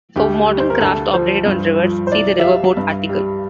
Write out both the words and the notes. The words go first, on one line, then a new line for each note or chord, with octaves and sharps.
For modern craft operated on rivers, see the Riverboat article.
D2 G4
G3
C5
A#4
D2 A4
F3 C5
G2
F3
C5
C2 D5
E5
G3 F5
G2
G3